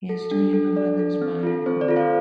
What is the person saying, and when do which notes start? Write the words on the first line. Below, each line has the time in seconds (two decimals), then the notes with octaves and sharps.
He has two younger brothers, Ryan and Cory.
0.09 A4
0.31 D4
0.54 A4
0.76 D4 D5
0.99 A4
1.21 C4
1.43 F4 A4
1.66 C4 C5
1.81 D5
1.88 F4 A4
1.96 C5 F5